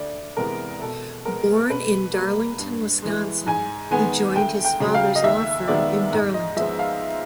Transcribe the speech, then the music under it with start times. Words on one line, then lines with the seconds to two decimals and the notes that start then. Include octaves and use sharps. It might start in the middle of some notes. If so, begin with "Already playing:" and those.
Born in Darlington, Wisconsin, he joined his father's law firm in Darlington.
Already playing: D2 D5
0.37 C3 E3 G#3 B3 A#4
0.81 B2 A4
1.25 G#3 B3 A#4
1.69 B2 B4
2.14 G3 A#3
2.59 G2
3.02 E3 G#3
3.46 G#2 G#5
3.91 D#3 G#3 B3 G#5
4.36 D2 G5
4.65 G5
4.80 C#3 F#3
4.95 F5
5.15 D#5
5.24 D#2 E5
5.68 D#3 G#3 B3 D5
6.12 G#2
6.34 D#5
6.56 F3 G#3 B3 E5
6.79 F5